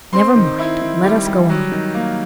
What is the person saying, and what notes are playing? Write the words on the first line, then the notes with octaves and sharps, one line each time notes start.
"Never mind; let us go on."
C4 C6
D#3
E4
D#3
G3
G3
F#3
D#3
A#3